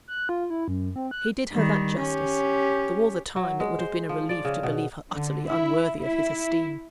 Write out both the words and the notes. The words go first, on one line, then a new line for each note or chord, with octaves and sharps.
He did her that justice, though all the time it would have been a relief to believe her utterly unworthy of his esteem.
F#6
F4
E4
F#2
C4
F#6
D#3 G3
C#4 G4
F#3
G#3
C5
F3
D5
C#3
B2
D3
E4
E4